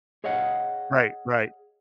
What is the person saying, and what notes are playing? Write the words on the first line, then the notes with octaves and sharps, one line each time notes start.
Right, right.
G#4 C#5 D#5 F5 F#5